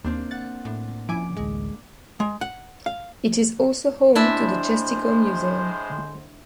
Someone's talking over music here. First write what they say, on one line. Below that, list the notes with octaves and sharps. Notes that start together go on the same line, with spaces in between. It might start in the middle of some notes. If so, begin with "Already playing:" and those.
It is also home to the Chestico Museum.
D#2 A#3 C4 D4
F#5 A6
A2 D4
F3 C#4 E4 G#5 D6
A1 D2 G#3
G#3
F#5
F5
A2 G#3 D4 E4 C5 E5